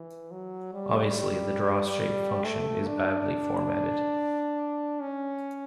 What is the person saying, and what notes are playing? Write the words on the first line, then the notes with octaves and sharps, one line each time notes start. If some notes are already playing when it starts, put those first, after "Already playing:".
Obviously, the DrawShape function is badly formatted.
Already playing: E3
F#3
G3
A3
D4
C#4